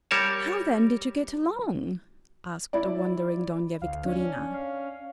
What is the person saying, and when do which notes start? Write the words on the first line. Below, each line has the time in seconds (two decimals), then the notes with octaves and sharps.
"How then did you get along?" asked the wondering Dona Victorina.
0.11 G3 A#4 C#5 A5
2.73 E4 D5
3.82 D2 F5
4.06 C#4 D4
4.54 F5